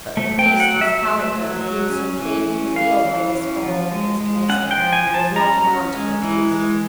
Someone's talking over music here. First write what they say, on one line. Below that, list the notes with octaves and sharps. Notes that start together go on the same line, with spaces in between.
But the priest, whose character had been so plainly revealed by this quarrel with his domestic, was not a man to their taste.
A3
G5
F#3
F#5
F#3
E5
A3 E5
F#3
F#3
C#4
E3
C#4
E3 F5
E3
C#4
F3
G#3
G#3
C#4 F#5
G5
F3
G#5
F3
A5
C#4 A#5
C#4
G#3
E3
G#3